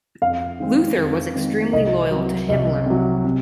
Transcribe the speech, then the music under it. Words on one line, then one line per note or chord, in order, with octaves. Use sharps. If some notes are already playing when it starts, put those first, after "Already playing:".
Luther was extremely loyal to Himmler.
F2 F5
D#3 G#3 C4
F2
D#3 G#3 C4
C2 D#5
C3 F#3
C2 D#5
C3 F#3
C3